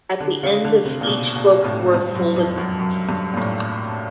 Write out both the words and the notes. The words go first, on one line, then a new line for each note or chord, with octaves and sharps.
At the end of each book were folded maps.
D3
C#3
D3
C3
A#2
B2
A#2
A2
G2
F#2
F2
F#2
F#2
G2
A#2
A2